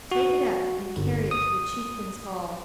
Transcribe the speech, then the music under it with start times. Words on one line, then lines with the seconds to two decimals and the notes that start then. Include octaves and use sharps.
Take it up and carry it to the chieftain's hall.
0.11 F#4
0.97 G1
1.31 D#6